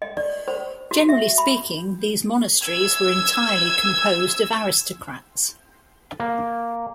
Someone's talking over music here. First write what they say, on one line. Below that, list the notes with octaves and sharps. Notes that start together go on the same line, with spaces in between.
Generally speaking, these monasteries were entirely composed of aristocrats.
D#5
D5
C5
F#4
E5
B5
E6 G#6
A#3